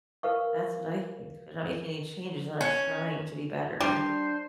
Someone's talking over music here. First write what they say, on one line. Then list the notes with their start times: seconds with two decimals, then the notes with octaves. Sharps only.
That's what I think. They're not making any changes, they're not trying to be better.
0.23 A#4 B4 F5 C#6
2.61 C#4
3.80 G3 D4 C5